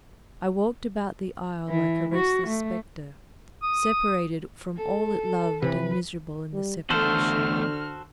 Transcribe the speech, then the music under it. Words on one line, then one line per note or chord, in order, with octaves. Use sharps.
I walked about the isle like a restless spectre, separated from all it loved and miserable in the separation.
E3
F#4
A3
D#6
A4
C3 E3 B4
G3
E2 D3 A3 F#4 A4 C5 F6